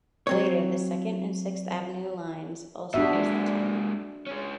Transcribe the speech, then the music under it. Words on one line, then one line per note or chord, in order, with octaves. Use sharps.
Later the Second and Sixth Avenue Lines also used the terminal.
F#3 C4 C#5
B2 D4 F#4 E5
G#3 A#3
G#3 C#4